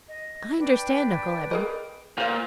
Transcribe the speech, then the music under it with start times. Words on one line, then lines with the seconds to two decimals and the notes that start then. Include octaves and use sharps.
"I understand, Uncle Eben."
0.07 D#5
0.58 D4 B4 G5
1.51 G#4 A#4 D#5
2.18 A#2 F4 C5 F5 F6